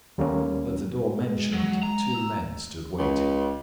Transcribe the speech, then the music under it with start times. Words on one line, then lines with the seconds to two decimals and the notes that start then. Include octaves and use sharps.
At the door mentioned two men stood waiting.
0.18 D#2 G3 A3 A#3 C#4
1.25 G#3
1.54 F#3
1.83 A#5
2.14 E6
2.98 C#2